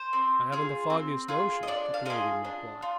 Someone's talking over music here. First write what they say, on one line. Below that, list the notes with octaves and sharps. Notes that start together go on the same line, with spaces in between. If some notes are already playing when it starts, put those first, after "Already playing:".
"I haven't the foggiest notion," the Canadian replied.
Already playing: C5
C4
F4 G#4
C4
F4 G#4
D#5
D4 D5
F5
F4 G#4 D#5
D4
F4